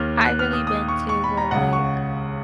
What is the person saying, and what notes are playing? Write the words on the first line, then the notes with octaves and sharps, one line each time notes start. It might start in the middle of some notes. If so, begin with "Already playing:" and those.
I really been to were, like,
Already playing: D#2 D#3 F6
F#6
F6
D#6
D#6
C#6
C#6
B5
A#5
C#2 C#3 F#5
C#6